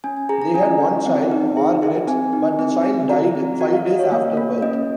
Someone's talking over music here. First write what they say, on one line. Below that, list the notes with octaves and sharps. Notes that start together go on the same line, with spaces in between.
They had one child, Margaret, but the child died five days after birth.
C#4 G#5
G#5
G#4 A#5
A#5
C#4 G#5
C#4
C4 F#5
D#4
G#4
G#4
C4 G#5
D#4
C4
C4
F#4 A#5
C4
F#4 F#5
F5
F#4 D#5
C#5
A#3
A#3
C#4 D#5